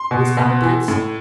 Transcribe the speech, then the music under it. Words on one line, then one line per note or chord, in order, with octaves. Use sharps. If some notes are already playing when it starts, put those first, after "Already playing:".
Who's got a pencil?'
Already playing: C6
B2
B2
E3
A2